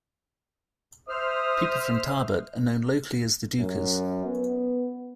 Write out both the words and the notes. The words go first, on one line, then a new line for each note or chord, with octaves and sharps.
People from Tarbert are known locally as "the Dookers".
C5 E5 D#6 F6
F#2
B3